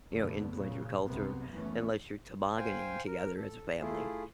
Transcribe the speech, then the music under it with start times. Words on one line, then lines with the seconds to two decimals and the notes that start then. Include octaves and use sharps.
you know, influence your culture, unless you're tobogganing together as a family,
0.12 F#1 E2 B2 D3 A3 B3
0.52 A#2 C#3 F#3
1.05 C2 F#2 C3 G#3 B3
1.52 D#2 E3 A3 B3 C#4
2.57 C5 F5 G5 G#5
3.07 A#4
3.37 A4
3.80 A3 E4 F4 G#4